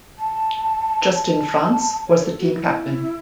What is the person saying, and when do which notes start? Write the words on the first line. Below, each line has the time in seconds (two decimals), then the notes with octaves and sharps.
Justin Frantz was the team captain.
0.18 A5
1.13 A5
2.07 C#5
2.23 A4
2.39 F#4
2.54 E4